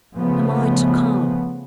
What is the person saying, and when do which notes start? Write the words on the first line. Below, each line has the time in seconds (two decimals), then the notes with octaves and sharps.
"Am I to come?"
0.16 C#3 F3 A3 B3